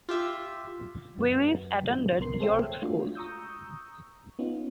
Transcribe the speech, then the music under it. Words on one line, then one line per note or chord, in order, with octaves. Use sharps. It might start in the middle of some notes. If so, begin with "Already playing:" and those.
Willis attended York School.
F4 G4 E5
F#2 B3
C2 C3 B3 A#4 C6 C7
G#4 A4 C5 C#5 E5 G5
G#3 A3 D4 F4 F#4
A#5 C#6 D#6 E6 G6
B3 C#4 D#4 F4